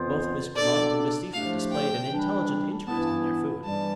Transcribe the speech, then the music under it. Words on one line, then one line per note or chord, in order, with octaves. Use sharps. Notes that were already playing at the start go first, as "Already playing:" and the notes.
Both Miss Grammont and Miss Seyffert displayed an intelligent interest in their food.
Already playing: F2 E3 B3 F4 C5
B2 B3 D4 A4 D5
A2 F3 A3 D4 G4 F5
G5
E3 G3 D4
G2 E3 B3 E4 A5
G2 E3 G3 A5